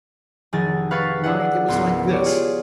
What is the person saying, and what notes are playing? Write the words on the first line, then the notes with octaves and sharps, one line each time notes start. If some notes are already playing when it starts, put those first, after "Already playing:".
Why, it was like this.
F1 D#3 G#4 G#5 A6
B4 F5 C#6 G#6 A6
D4 E4 G#4 F#5
G#1 C#2 B3 C6
G4 C#5 D5
F4 G#4